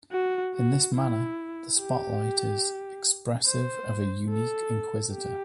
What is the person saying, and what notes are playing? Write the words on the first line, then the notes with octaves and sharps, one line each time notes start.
In this manner the spotlight is "expressive of a unique inquisitor".
F#4
F#4
E4
G4
C5
A4
G4